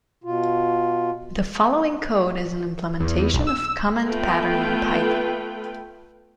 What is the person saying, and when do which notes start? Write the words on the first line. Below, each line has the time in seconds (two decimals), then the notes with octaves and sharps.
The following code is an implementation of Command pattern in Python.
0.24 B2 F4
3.00 E2
3.18 E2
3.34 B1
3.47 E6
4.04 A3 B3 F4 B4 G5